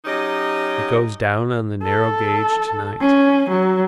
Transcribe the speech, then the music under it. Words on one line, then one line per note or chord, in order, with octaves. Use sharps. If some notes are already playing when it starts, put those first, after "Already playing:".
It goes down on the narrow-gauge to-night.
F#3 C#4 D#4 G4 D#5
A4
C#4
F#3